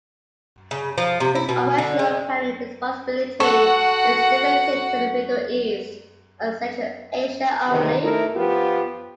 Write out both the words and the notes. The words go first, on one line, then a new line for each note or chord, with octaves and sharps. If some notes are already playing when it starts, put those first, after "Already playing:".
His operational planning responsibility is limited to the Middle East and Central Asia only.
C#3
F3
C3
E4
B2
D3
G#3
F#4 A4 F#5 C#6
E2 C3 D#3
A3 D#4 E4 A#4
F3 B3 F4 G4